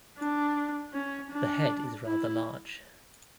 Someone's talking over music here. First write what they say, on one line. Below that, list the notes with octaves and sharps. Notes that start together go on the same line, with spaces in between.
The head is rather large.
D4
C#4
D4
E4